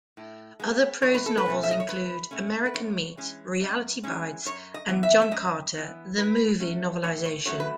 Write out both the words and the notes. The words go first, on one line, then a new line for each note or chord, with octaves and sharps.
Other prose novels include "American Meat", "Reality Bites", and "John Carter: The Movie Novelization".
A2
G#3 B3
E2 C#5
B4
A4
B4
B2 A3 C#4
E5
D#5
C#5
E2 B4
B2 A3 C#4
B4
F#2 C#5
E3 G#3 C#4
F#2
E3 G#3 C#4
F#2 C#5
D#5
E3 B3
E5
E5
F#2 D#5
E3 B3
A2 B4
F#3 A3 C#4
A2 C#5
C#5
F#3 A3 C#4 C#5
B4